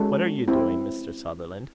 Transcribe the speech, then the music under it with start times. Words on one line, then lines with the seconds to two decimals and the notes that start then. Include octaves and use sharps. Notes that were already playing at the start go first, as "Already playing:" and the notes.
"What are you doing, Mr. Sutherland?"
Already playing: G#3 C#4 F#4 A4
0.48 C4 E4